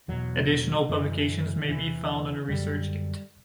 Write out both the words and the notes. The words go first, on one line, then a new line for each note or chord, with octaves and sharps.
Additional publications may be found on Research Gate.
E2 B2 F#3
F#2 D3 E3
D3
E2 C3 E3
F#2 D3 G3